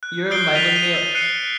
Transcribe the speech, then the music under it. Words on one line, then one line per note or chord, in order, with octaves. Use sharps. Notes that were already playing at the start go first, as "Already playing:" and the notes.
You reminded me, uh
F#6
D#6 F#6 G6 C7 D7 G7
F6 A6 B6 D#7 F7
D#7
E6
F#6 C7 C#7 D#7